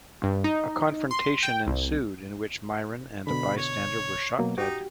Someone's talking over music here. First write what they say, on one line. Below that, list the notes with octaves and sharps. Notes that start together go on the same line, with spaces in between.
A confrontation ensued in which Myron and a bystander were shot dead.
G2
D#4
C6
G5
C2
B2 D3 B5
C#5
B2 F#3 A#3
D#4 F#4 G4